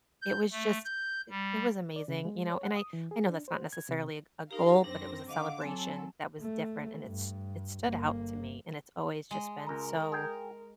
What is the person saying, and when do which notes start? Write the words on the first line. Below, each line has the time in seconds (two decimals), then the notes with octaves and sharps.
It was just it it was amazing, you know, and I I know that's not necessarily a g a goal, but it was a celebration that was different, and it's it stood out to me, and it's always just been so
0.22 G6
0.52 A3
0.85 G6
1.30 G3
1.96 D5
2.08 C#3
2.25 G#3
2.50 C#5
2.63 F#5
2.76 D#6
2.93 E3
3.11 G#4
3.29 D4
3.48 C5
3.73 G#6
3.89 C3
4.51 D#4 G4 A#4 F5
4.84 F#2 C4 D4 A#6
5.29 D3 D#5 F5 F#5 D6
5.61 F#3 C4 A4 G#5
6.40 A3
7.03 G2
7.83 G1 A#3
9.31 G#3
9.67 C#2 A#4 A#5
10.12 G#4 G5